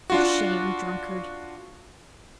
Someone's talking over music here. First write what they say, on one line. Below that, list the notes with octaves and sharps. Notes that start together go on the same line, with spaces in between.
For shame, drunkard!'
D4 F4 F#4